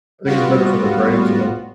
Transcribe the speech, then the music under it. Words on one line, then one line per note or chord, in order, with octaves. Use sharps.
I think it's better for their brains, you know?
G3 B3 F4 F#4